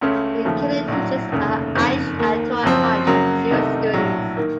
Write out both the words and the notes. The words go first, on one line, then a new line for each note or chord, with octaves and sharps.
He currently teaches at Aish HaTorah College of Jewish Studies.
C#2 C#3 A3 C#4
D#2 C#3 F3 A3
A#1 A2 F#3
F1 D#2 C#3 A3
F#1 F2 D#3
D#2 D#3 A#3
F#1 F#2 F3 C4
F#2 C#3 F#3 A#3
C2 C3 D#3 A3 D#4
A#1 A2 F#3
D#3 A#3